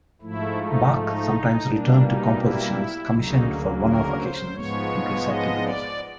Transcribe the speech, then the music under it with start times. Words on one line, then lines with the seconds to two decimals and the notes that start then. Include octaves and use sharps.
Bach sometimes returned to compositions commissioned for one-off occasions and recycled the music.
0.21 G#2 F3 A3 E4
0.59 D#4
0.94 D#4
1.66 B2 G3 A#3 D4
2.03 D#4
2.38 E4
3.10 D2 C#3 F#3 A#3 D#4
3.82 A#4
4.18 C5
4.54 G#2 F3 G#3 B3 C#5
5.27 D#5
5.63 D5